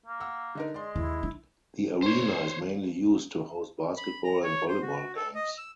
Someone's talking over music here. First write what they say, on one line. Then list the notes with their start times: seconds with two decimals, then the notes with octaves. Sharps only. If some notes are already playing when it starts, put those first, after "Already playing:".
The arena is mainly used to host basketball and volleyball games.
0.06 A#3
0.20 F#5 E6
0.55 D3 D#4 A#4
0.74 G#3 D5 C6
0.96 D#2 E4
1.23 D4
2.02 C5 C#5
3.97 B5
4.24 A#5
4.43 C#5
4.68 C5
4.82 F#4
5.16 A4
5.35 D#5
5.58 E6